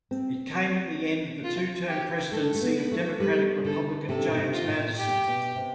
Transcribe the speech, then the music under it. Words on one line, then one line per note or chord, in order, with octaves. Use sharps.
It came at the end of the two-term presidency of Democratic-Republican James Madison.
C4
F4
G4
A3 A4
A3
B3
B4
A3
G3 B4
D3 A4
C3 A4
B2
C3
F4
A2
G4
B2
C3